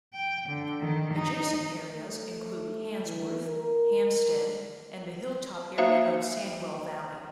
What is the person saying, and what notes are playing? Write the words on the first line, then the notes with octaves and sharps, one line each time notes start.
Adjacent areas include Handsworth, Hamstead and the hilltop area of Sandwell Valley.
G5
D3
D#3
D#4
A3
E3
A#4
A#3 D#4 F#4 C5 E5 F5